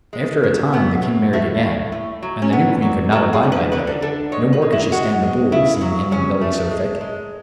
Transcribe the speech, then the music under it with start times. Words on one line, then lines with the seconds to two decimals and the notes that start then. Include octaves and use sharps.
After a time, the king married again, and the new queen could not abide Billy; no more could she stand the bull, seeing him and Billy so thick.
0.13 G#3
0.43 C#3
0.73 F#3 B3
1.03 A2
1.33 A2 A3
1.63 A2
1.92 A3
2.22 F#3
2.42 C#4
2.52 D3 B3
2.82 F#3
3.12 F#3 A4
3.33 G#4
3.43 D3
3.52 B4
3.72 D3 B4
3.87 A4
4.02 D3 A4
4.32 G#3 C#5
4.53 B4
4.62 G#3
4.72 E4
4.92 G#3 F#4
5.22 G#3
5.52 C#3 E4
5.81 F#3
6.12 C#3 C#4
6.41 A3
6.71 G#3
7.01 G#3